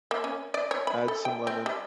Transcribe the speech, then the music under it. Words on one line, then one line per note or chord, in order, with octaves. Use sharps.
add some lemon,
A#3
C#4
D5
C#5
B5
A4
G5
C4
G3